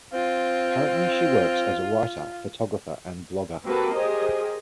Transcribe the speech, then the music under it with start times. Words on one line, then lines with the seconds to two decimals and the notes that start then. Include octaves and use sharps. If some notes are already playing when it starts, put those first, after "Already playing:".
Currently she works as a writer, photographer, and blogger.
0.13 C4 F4
3.65 A#3 C4 F#4 G4 A4 B4
3.94 G4 G#4 A#4 C5 D#5